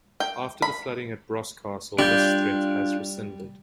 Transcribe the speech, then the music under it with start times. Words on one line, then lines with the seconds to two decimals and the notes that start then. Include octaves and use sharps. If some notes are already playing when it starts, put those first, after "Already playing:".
After the flooding at Boscastle, this threat was rescinded.
0.20 G5
0.62 B5
1.99 G3 D4 F4 G5